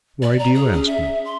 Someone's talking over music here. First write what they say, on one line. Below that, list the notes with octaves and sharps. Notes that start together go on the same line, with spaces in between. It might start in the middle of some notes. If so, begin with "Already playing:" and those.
Why do you ask me?'
D5
A#5
G#4
C#4
E5
C6